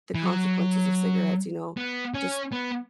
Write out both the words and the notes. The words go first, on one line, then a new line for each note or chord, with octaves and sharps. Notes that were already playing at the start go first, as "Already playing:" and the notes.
the consequences of cigarettes, you know, just
E3
F#3
B3
C#4
B3